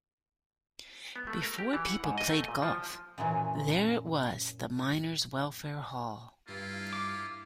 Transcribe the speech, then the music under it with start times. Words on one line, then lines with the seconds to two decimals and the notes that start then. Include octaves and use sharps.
Before people played golf there it was the Miners' Welfare Hall.
1.16 B3
1.27 A3
1.42 A#4
1.58 G4
1.73 E3
1.86 F#5
2.04 G#2
2.18 D#5
2.30 A3
2.48 A#2
2.62 F3
3.18 F#2 A#2 E3 F#3
6.48 G2 A#3 E4 F4
6.93 D6